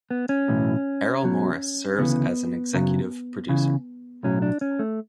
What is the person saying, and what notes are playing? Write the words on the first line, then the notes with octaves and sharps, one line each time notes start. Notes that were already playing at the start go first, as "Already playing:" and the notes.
Errol Morris serves as an executive producer.
B3
C#4
B1 A2 E3
B1 B2 F#3
D2 C#3 E3 B3
F#2 C#3 F#3
C#2 C#3 E3
B1 A2 F#3 C#4
D4
C#4
A3